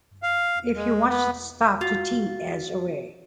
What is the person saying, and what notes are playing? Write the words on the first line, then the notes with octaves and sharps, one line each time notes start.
If he wants you to stop to tea, edge away.
F5
G#3
B3
F4 F#4